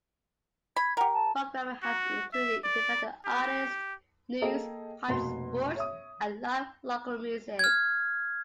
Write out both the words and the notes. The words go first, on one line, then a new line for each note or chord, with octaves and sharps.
Programming has included independent artists, news, college sports, and live local music.
B5 G#6
G4 A#4 F#5
A5
F#4
E5
D5
G4
A#3 G#4 A4 D#5 G5
F1 B2 A#3 B4 C6
C#5 E5 D#6
F6 G#6